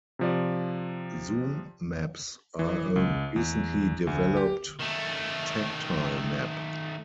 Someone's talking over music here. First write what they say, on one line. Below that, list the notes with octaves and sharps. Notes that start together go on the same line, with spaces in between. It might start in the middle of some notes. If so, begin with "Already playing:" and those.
Zoom maps are a recently developed tactile map.
C3 F3 D5
E3
C#2
E2
D2
G4
D#3 A3